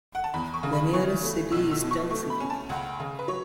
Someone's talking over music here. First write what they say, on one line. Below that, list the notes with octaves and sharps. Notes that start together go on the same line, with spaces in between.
The nearest city is Tell City.
F#5
A5
E2 B5
C#6
C#3
B5
E3 C#6
A3
B1 E6
E6
B2
C#6
A3 C#6
B5
C#4
A5
C#2 F#5
C#3
B4
F#3 C#5